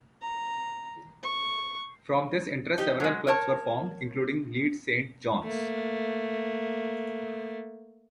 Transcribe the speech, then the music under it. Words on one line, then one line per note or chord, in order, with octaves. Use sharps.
From this interest several clubs were formed, including Leeds Saint John's.
A#5
C#6
D#4 G4
F#3 G#3
A#4 C#5 A5
A3 A#3